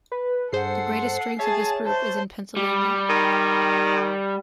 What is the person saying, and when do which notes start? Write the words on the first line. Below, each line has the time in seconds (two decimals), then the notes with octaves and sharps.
The greatest strength of this group is in Pennsylvania.
0.12 B4
0.52 G2 G#4 A4 C5 F#5 C7
1.39 G#4 C#5 E5 A5
1.86 C5 A5
2.57 G3
3.10 D#3